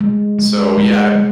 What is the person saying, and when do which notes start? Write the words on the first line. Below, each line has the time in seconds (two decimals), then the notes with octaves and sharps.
so yeah
0.01 G#3
0.39 G#3
0.77 G#3
1.15 G#3